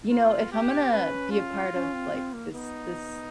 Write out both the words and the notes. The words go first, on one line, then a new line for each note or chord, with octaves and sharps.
you know, if I'm gonna be a part of, like, this this
B3 F4
G4
C#4 B4
F4
C#4
C4
C4
A#3
B3 D#4